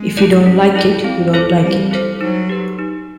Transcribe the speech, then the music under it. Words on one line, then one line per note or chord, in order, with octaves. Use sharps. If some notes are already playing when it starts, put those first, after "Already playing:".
If you don't like it, you don't like it.
Already playing: G#3
E4 A4 D5
C#4
E4 A4 D5
C4
E4 A4 C5
G3 C4
E4 A4 C5
F#3 D#4
G4 B4
D#4